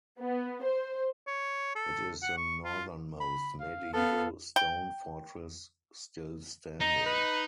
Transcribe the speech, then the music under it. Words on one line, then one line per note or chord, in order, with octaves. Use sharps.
It is the northernmost medieval stone fortress still standing.
B3
C5
C#5
A4
F#5
C#6
F4
B5
F5
B3 A4 F5
G5
D#4 A#5
B4